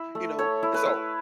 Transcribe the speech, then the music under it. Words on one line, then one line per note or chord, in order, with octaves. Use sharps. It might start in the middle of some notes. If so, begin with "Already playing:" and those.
you know, and so,
Already playing: E4 E5
A3
A3 C#5
E4
B4
E4